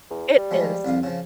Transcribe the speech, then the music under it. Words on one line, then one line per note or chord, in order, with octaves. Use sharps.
It is.
E2
G3
F3 G#3 A3
C2 F2 F5
C#3 F3